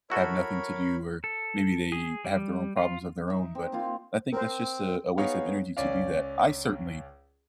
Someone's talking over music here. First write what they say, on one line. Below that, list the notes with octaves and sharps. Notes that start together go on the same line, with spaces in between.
have nothing to do or maybe they have their own problems of their own, but I think that's just a a waste of energy to do that. I certainly,
E4 F#4 A4 A#4 C#5 B5
A4
G#4
G3
F4
D#4 E5
C4
A#3 C4 D#4 F4
C4 A#4 C5
B3 D#4 G#4 C#5 F5
C#2 C#4 D5 F5